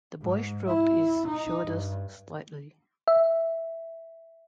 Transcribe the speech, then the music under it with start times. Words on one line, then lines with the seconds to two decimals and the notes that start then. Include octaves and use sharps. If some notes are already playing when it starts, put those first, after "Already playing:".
The boy shrugged his shoulders slightly.
0.21 G#2
0.67 E4
1.27 D#4
1.64 G2
3.08 E5